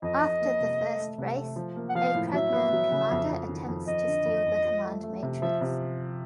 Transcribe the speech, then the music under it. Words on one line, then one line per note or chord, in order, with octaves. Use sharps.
After the first race, a Kragnan commander attempts to steal the Command Matrix.
F2 D#5
F2
A#3
C3
A3
A3
C3
A3
F3
A#3
F#5
F3 F5
A2
F#3 E5
B3
F#3
C#3
F2
F2
D#3
F2
F2 D#5
D3
F2
F2
F3
A3
A3
C3
F3 E5
C3